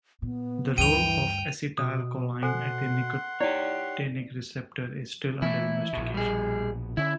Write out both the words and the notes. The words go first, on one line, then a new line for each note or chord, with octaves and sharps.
The role of acetylcholine at the nicotinic receptor is still under investigation.
A#2 B3
D2 G2 E3 G5 D#7 F7
B2 D#6
A4 C5 F#5 G#5 C6
D#4 E4 G4 C#5 D5 C7
E3 F3 A3 E4
A#1 B2
G3 G#4
D3 C#4 E4